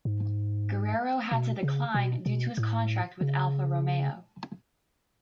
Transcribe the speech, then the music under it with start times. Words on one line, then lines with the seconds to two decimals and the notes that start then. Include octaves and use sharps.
Guerrero had to decline due to his contract with Alfa Romeo.
0.05 G#2
1.32 B2
1.63 C#3
1.94 B2
2.26 B2
2.58 A2
3.21 C#3